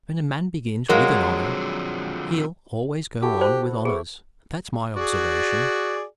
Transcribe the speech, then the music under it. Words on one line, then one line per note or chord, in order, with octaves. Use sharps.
When a man begins with an honor he'll always go on with honors; that's my observation.
D3 F3 F#3 G#3 C4 A#4 F5
E4 F#4 G4 A4
C5
B3 G#4 E5 C#6
F#4 G#4 D5